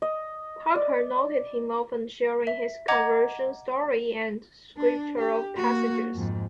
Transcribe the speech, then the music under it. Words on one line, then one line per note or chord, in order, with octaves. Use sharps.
Parker noted him often sharing his conversion story and scriptural passages.
D#5
D5
E5
D#5 F#5 A#5 D6 G#6
D4
G4
A#3 F#4
F2 G#2